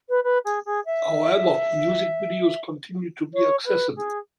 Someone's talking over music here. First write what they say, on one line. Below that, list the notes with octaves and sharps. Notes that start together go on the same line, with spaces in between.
However, music videos continue to be accessible.
B4
B4
G#4
G#4
E5
C#5
B4
G#4